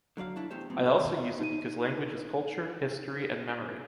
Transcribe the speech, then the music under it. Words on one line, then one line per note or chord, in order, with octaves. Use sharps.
I also use it because language is culture, history and memory.
D3 F#3 D5 F5
F#3 D4 E4
E2 A3 G4 C5
E2 G2 A#2 C4
A4
D#3
D#4 D#7